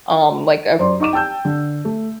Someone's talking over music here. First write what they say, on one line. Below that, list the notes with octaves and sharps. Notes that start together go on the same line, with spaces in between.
um, like,
F#2 C5 D5 C6
D#4 C#6 D6 E7
G5 A5 E6 G6
D3
A3